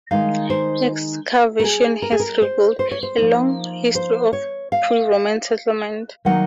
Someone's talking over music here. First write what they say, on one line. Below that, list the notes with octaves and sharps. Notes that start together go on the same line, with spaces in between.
Excavation has revealed a long history of pre-Roman settlement.
D#3 G#3 D#4 F5
C5
A#4
G#4
A#4
G#4
A#4
C5
C5
C#5
C5
F3 A#3 D#4
C5
C#5
F5
D#3 F#3 A#3 D#4 F#5